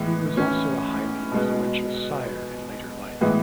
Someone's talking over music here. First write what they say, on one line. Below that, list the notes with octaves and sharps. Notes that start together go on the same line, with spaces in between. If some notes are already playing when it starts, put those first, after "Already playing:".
He was also a highly influential sire in later life.
Already playing: A2 E3 G#3 B3
C#4
B2 G#3 B3
A2 E3 G#3 B3